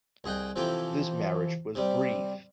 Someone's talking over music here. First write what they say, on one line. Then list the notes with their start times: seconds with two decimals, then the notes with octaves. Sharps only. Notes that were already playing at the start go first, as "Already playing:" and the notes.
This marriage was brief.
0.24 C2 G#4 D#5 F#5 G5
0.56 C3 E3 F3 A4 G5
1.75 C3 G3